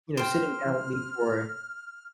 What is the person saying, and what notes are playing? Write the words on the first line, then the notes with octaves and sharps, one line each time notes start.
you know, sitting down with me for
C5 G5 F6